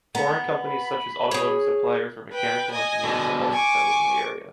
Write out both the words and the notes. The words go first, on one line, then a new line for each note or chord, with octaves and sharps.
Foreign companies such as automotive suppliers or mechanical engineers have also settled in the area.
B3 A#5
B5
G#4 C#5
B4 G5
D#5 G#5
B2 D3
G#5 C#6 D6